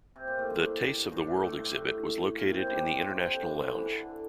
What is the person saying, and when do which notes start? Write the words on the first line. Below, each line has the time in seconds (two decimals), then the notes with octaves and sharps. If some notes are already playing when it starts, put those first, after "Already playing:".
The 'Tastes of the World' exhibit was located in the International Lounge.
0.16 C3
0.27 A#2
0.39 A2
0.50 G2
1.12 G2
1.27 A2
1.44 A2
1.59 G2
1.74 A2
2.36 A#2
2.52 C3
2.67 G2 G3
2.98 F3
3.23 C3
3.30 D3
3.45 E3
3.61 D3
3.77 E3
3.92 D3